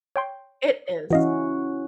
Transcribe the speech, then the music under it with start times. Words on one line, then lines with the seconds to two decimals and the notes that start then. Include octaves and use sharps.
It is.
0.16 C#5 G5 C6
1.11 E3 C#4 E4 F#4 D#5 F5